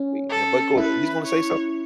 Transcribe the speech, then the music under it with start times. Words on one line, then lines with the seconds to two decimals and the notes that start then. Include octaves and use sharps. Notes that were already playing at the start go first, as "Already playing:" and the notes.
We you know but go ahead, you was gonna say something?
Already playing: C#4
0.30 A4
0.78 E4 B4
1.25 C#5